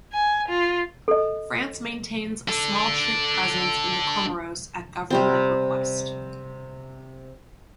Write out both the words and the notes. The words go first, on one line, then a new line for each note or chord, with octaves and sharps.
France maintains a small troop presence in the Comoros at government request.
G#5
F4
A4 D#5
D4 A4
C3 G3 C4